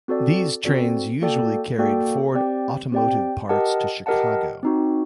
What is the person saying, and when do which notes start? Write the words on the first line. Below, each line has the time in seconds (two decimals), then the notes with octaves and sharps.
These trains usually carried Ford automotive parts to Chicago.
0.08 C4 F#4 A4 D5
0.65 C4 F#4 A4 D5
1.21 A#3 F#4 A4 D5 G5
1.78 A#3 F#4 A4 D5 G5
2.35 C4 G4 D5 G5
2.92 C4 G4 D5 G5
3.49 G4 A#4 D#5 F#5 A5
4.06 G4 A#4 D#5 F#5 A5
4.63 C4 D#4 F#4